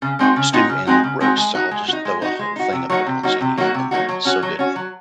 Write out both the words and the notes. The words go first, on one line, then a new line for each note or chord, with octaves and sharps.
stew and roast. I'll just throw a whole thing of peperoncinis in there. It's so good.
C#3
G#3 C4 D#4 F#4
C#3
G#3 C4 D#4 F#4
C#3
G#3 C4 D#4 F#4
C#3
G#3 C4 D#4 F#4
G#3
D#4 F#4
G#3
F#4
D#4
G#3
D#4 F#4
G#3
D#4 F#4
C3
F#3 A#3 D#4 F#4
C3
F#3 A#3 D#4 F#4
C3
F#3 A#3 D#4 F#4
C3
F#3 A#3 D#4 F#4
F#3
C#4 F#4
F#3
C#4 F#4
F#3